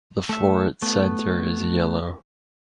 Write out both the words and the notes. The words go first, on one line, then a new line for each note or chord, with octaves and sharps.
The floret centre is yellow.
A3 E5
A3 B3